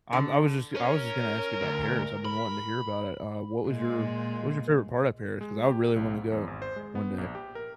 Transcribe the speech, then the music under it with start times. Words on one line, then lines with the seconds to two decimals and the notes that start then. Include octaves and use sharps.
I'm I was just I was just gonna ask you about Paris, I've been wanting to hear about it, uh, what was your what was your favorite part of Paris? 'Cause I really wanna go one day.
0.13 D3
0.76 C#4 A#4
1.62 D2
2.25 B5
3.67 A#2 G#3
5.41 G#3
5.67 G4
5.96 B1
6.14 G#2
6.32 E2
6.47 G#1
6.62 C5
6.76 G#3
6.95 B3
7.18 A#1
7.35 G4
7.55 A#4